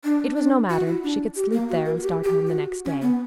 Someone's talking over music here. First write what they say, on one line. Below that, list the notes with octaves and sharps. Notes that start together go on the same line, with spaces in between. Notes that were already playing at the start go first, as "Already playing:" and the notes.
It was no matter; she could sleep there, and start home the next day.
D4
D4
F#4
E4
D4
G4
A#3
F#4
A#4
F#4
G4
G4
F#4
C#4
B3